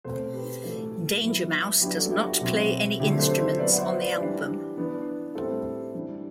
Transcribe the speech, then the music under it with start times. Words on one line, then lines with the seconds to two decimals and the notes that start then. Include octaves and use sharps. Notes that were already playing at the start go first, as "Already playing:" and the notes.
Danger Mouse does not play any instruments on the album.
0.04 B2 A3 C4 A4 C5
0.34 G4 B4
0.64 A2 E3 A3 F#4 A4
1.23 F#3 B3 E4
1.81 F#3 B3 D4 E4 G4
1.97 F#4 A4
2.11 E4 G4
2.26 F#4
2.41 B2 F#3 C4 E4
3.00 D3 F#3 A3 C4 E4 G4
3.19 A4 C5
3.39 C5 E5
3.59 F#3 B3 E4 B4 D5
3.73 F#5
3.78 C5 E5
3.97 B4 D5
4.18 E3 G3 D4
4.77 E3 B3 D4
5.35 A2 G3 C4 E4 A4 C5
5.94 E3 G3 D4